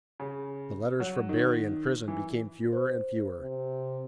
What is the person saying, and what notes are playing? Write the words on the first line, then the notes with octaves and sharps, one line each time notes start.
The letters from Berry in prison became fewer and fewer.
C#3
F#3
D#3
E3
C5
C3